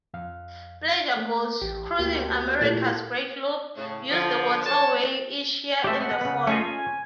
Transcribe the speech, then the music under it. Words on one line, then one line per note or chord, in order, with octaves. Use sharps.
Pleasure boats, cruising America's Great Loop, use the waterway each year in the fall.
F2 F5
A3 A#3
A1 G4
D2 A#3 F#4 G4
A#2 A3 E4 G4 A4
A2 C#3
D3 F3
F#2 F#4 C#5 A5
G#3 A3 G4 E5
B4 F#5
C#3 B3
A3 C#4 F4 G#4 D#5
G#5